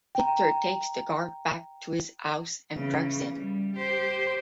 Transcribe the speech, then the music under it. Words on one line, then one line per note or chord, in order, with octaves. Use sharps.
Victor takes the guard back to his house and drugs him.
G5 A#5
C#3 E3
G3
G4 C5